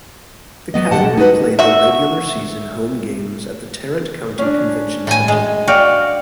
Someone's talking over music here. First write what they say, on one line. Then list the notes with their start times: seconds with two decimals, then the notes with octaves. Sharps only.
The Cavalry played their regular season home games at the Tarrant County Convention Center.
0.74 F#3 B3 D#5
0.91 D3 G4 F#5 A5
1.04 B2
1.17 D#4 F#4 G#4 B4 F#5
1.59 F#4 E5
4.39 C#4 D4
5.07 A2 G#5
5.28 G#3
5.68 F#4 D5 F5 G5